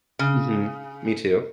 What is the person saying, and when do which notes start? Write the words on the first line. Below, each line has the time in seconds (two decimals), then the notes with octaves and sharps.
Mhm. Me too.
0.19 C#3